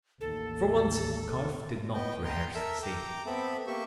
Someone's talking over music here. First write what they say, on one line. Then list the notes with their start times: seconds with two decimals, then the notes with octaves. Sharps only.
For once Kauf did not rehearse the scene.
0.21 A1 D#2 A4
1.94 B3 D#5 G5
2.24 G5 A#5 C6
2.55 A4 A#4 E5 E6
2.83 G5 A#5 D6
3.26 B3 C4 A4 E5 B5
3.67 A#3 G4 E5 C#6